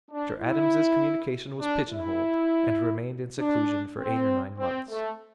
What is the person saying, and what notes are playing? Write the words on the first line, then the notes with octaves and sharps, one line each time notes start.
Mr. Adams's communication was pigeon-holed, and remained in seclusion for eight or nine months.
D4
E4
D4
E4
D4
C4
C4
A3